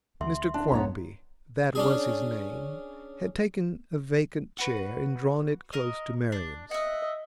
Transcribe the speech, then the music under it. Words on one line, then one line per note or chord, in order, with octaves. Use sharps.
Mr Quarmby--that was his name--had taken a vacant chair and drawn it close to Marian's.
D2 E5 C6
D4
C2 F2 B3 C#5 A#5
C#4 D4 G#4
F#4 B4
A#4 D#5
D4
D#5 E5 F#5